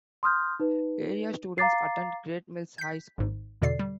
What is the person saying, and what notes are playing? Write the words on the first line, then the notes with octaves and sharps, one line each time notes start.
Area students attend Great Mills High School.
C6 D#6 F6 G6
D#4 B4
F5 A#5 D6 A6 C7
G6 B6
G#1 G#2
E2 B2 D3 D5 C7
G3